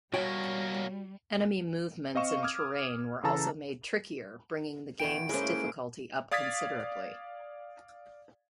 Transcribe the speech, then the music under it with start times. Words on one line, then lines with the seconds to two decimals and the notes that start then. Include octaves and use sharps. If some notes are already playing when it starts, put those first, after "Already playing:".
Enemy movements and terrain were also made trickier, bringing the game's difficulty up considerably.
0.14 B2 G3 A#3 F#4 C#5 G5
2.15 C4 D#5 F5 C#6 E7
2.43 D6 D#6 F6 G#6
3.23 C#3 E3 A4 A5 A#5 E6
5.00 E2 B2 G5 D7
5.29 A2 G#3 A#3 C#4 E4 C5
6.31 D5 F5 D#6 G#6 A6 B6